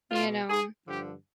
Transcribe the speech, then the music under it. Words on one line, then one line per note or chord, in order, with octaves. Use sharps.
You know?
B2 F4
G#4
G2 D3 F3 G4